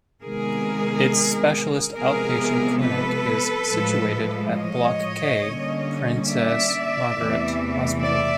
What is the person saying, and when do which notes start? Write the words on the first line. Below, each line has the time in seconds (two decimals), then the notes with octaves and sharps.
Its specialist outpatient clinic is situated at Block K, Princess Margaret Hospital.
0.22 C3 D#3 G#3 B3 G#4 A#4
1.95 C3 F3 G#3 B3 G#4 A#4
2.82 A4 B4
3.69 A2 F3 G#3
4.55 C#5 D#5
5.42 D3 G3 A#3 C#4
6.28 D5 E5
7.15 E2 C3 E3 A3
8.01 D5 E5